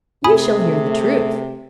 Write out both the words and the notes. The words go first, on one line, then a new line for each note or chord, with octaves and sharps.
You shall hear the truth.
C3 A3 G#4 G#5 B5 D#6